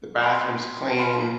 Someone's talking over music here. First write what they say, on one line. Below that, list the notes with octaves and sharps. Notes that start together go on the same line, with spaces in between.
the bathroom's clean,
C5 G5 B5 D6
C5 F5 B5 D6